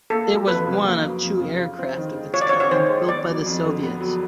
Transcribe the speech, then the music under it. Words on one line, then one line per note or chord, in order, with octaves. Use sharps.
It was one of two aircraft of its kind built by the Soviets.
A#3 A4
F#3
F2 B4
C#3
A#3
F#3
F2
C#3
F4
C4
D#3
G#3
F4 C#5
D5
C#5
C4
C#5
D#3 C5
G#3
B3 D5
F#3
F2
D3
B3
F#3